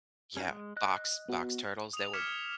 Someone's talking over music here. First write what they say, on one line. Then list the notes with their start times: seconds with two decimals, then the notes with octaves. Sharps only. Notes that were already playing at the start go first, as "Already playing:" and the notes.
Yeah, box box turtles that would
0.37 C#4 D#4 F#4
0.50 G#3
0.77 D#5 F#6
1.28 B3 F#4
1.93 D#6 F7
2.13 D6 F6 G#6 B6 C#7 E7